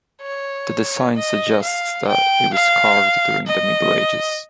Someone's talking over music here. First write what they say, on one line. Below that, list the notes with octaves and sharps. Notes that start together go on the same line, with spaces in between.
The design suggests that it was carved during the Middle Ages.
C#5
D#5
F5
G5
F5
D#5